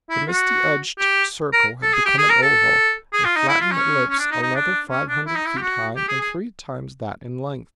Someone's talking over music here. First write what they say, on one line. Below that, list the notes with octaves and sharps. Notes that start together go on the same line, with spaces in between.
The misty-edged circle had become an oval, a flattened ellipse another five hundred feet high and three times that in length.
E4
F#4
G4
A#4
A4
G#4
G4
G#4
A#4
A4
G#4
F4
D#4
E4
F4
C#4
C#4
D4
D#4
D#4
D4
C#4
D4
E4
D#4
E4
G4
F#4
G4
G#4
G#4